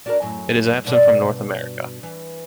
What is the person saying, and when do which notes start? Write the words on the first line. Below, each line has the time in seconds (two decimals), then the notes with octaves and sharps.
It is absent from North America.
0.06 D4 F#4 A#4
0.22 F#2 A2 F#3
0.85 G2 B2 D5
2.03 E3